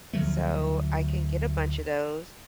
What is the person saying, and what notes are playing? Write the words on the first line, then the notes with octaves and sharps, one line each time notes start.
So, I can get a bunch of those,
D2 F3 F#3 A3